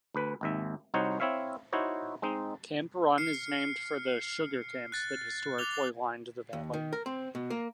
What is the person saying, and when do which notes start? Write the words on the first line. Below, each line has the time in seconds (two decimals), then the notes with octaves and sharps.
Camp Run is named for the "sugar camps" that historically lined the valley.
0.14 D2 B4
0.41 G#1 D#2 E5
0.94 C2 D#4 F#4 C5 C#5
1.20 C4 E4 C#5 E5 F5
1.73 D#4 E4 F#4 C5 C#5
2.22 G#3 C4 D#4
3.18 F6 C7 C#7
4.92 F#6 A6
5.58 D6 F7 G7
6.53 D#2
6.74 D#3
6.93 A#4
7.06 C4
7.35 B2
7.50 A#3